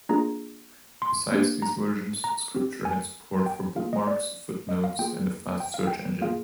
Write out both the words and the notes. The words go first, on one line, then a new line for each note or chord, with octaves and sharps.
Besides these versions, Scripture had support for bookmarks, footnotes, and a fast search engine.
A#3 D4 F4 G#4 A#5
C6
A#3 D4 G4
A#5
A#5
C4 G4
G#5
G5
A#3 F4 G#4 F5
D#5
D5
D#5
F5
A#3 F4 G#4 G5
G5
F5
G5
A#3 F4 G#4 F5